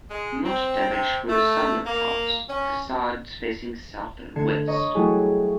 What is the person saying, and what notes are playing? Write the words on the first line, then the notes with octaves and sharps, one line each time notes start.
Most damaged were the sunlit parts, the facades facing south and west.
G#3
C4
C3
A3
A#3
C#4
D3 A3 G#6 C7 C#7 E7
C#5 D#5 A#5 C#6 D#6
F#3 G3 A3 E4 G#4